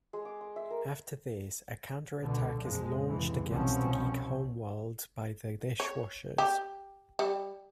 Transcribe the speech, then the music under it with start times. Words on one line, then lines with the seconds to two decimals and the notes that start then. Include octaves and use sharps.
After this, a counterattack is launched against the Geek homeworld by the Dishwashers.
0.13 G#3
0.25 D6
0.41 C6
0.56 E5
0.70 A#4
2.21 C#2 B2 D3
2.61 A#1 F2 A#2 F3 G#3
3.08 F1 C#2 E3 G#3
3.50 C2 B2 F3 C4 C#4
5.80 C#5
6.38 G4
7.19 G3